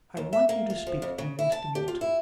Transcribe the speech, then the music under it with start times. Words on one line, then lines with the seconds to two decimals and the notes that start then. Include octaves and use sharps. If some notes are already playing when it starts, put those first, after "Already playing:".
'I want you to speak to Mr. Moulton....
0.17 D#2
0.33 E5
0.49 A#3
0.70 F4
0.87 F3
1.02 F2
1.18 C#3
1.39 E4
1.52 A5
1.75 G4
1.88 F4
2.01 E4